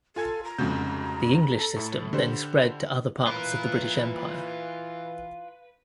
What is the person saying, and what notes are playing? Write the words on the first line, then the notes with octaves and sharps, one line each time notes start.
The English system then spread to other parts of the British Empire.
F4 A4 G#5 G#6
A#5
F1 F2 G#2 C#3 F#4 G6
A4
A2 E4
D3 G3 C5
E3 F4 A#4 B4